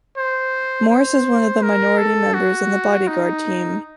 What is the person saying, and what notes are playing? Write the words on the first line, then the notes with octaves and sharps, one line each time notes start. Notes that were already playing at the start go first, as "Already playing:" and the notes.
Morris is one of minority members in the Bodyguard Team.
C5
C5
A#4
A4
F#4
D#4